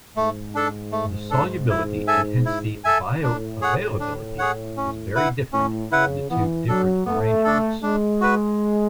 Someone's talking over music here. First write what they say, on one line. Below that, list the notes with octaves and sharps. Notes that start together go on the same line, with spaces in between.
The solubility and hence the bioavailability is very different in the two different arrangements.
G#2 A3
D4 A4
A3
D4 A4
E4
A4 E5 G#5
E4
A4 E5 G#5
A2 D4
G#4 C#5 F#5
D4
G#4 C#5 F#5
C#4
E4 B4 F#5
A2 C#4
C#3 E4 B4 F#5
E3 B3
F#3 D4 A4
A3 B3
D4 A4
G#3 D4
F#4 B4